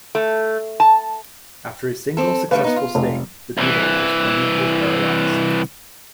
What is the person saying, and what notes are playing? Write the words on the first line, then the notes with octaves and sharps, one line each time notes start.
After a single successful sting, the beetle is permanently paralyzed.
A3
A5
C4 A4
D3 G3 A3 B4 F5
B3 D#4
F4
F1
C2 E3